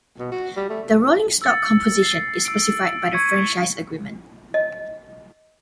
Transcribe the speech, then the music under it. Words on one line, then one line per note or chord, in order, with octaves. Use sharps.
The rolling stock composition is specified by the franchise agreement.
B2
F#4
G3
A3
E6 A6 C#7
C7
E6 D7
C#6 G#6 B6 C#7 D#7
D#5